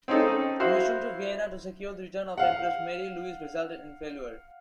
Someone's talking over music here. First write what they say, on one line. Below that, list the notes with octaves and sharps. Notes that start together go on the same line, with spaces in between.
A mission to Vienna to secure the return of Empress Marie-Louise resulted in failure.
C4 C#4 D#4 A4
E4 F#4 C5 F5
F5 F#5